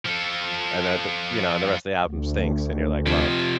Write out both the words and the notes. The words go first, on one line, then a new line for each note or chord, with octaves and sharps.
And then th you know, and the rest of the album stinks, and you're, like, "Well
F3 A4
D2
C3 F3